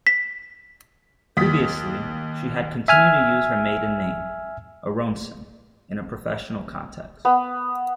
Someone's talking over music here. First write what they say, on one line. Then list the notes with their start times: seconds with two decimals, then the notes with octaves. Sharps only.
Previously, she had continued to use her maiden name, Aronson, in a professional context.
0.07 B6
1.37 D#2 D#6 B6
2.88 E5 G#5 F6
7.25 B3